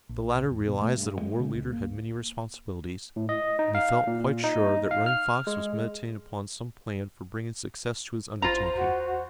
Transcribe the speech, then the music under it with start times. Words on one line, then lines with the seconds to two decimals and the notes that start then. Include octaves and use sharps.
The latter realized that a war-leader had many responsibilities, and he felt quite sure that Running Fox was meditating upon some plan for bringing success to his undertaking.
0.09 A#1
0.51 E2
0.68 B2
0.82 A3
0.97 G2
1.21 G#3
1.40 C#3
1.54 C#2
1.73 A#3
3.16 A2
3.29 D#5
3.59 D#4
3.75 F5
4.07 A#2
4.44 D#4
4.91 F5
5.06 F6
5.47 G#3
8.42 G#1 F4 C5 A#5
8.75 E2 F#4